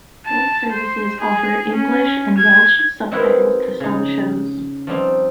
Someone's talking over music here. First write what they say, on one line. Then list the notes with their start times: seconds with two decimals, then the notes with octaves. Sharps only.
Both services offer English and Welsh subtitles to some shows.
0.26 A5
0.72 C5
1.20 G#4
1.73 C#4
2.37 G#6
3.11 C4 D#4 E4 F#4 A#4 B4
3.80 C#3 D#4
4.87 F3 G3 C4 D#4